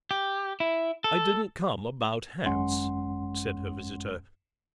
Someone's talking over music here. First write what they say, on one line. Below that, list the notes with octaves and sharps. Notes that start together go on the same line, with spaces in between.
"I didn't come about hats," said her visitor.
G4
E4
A4
G#1 F#2 G#3 C#4 F#5 C6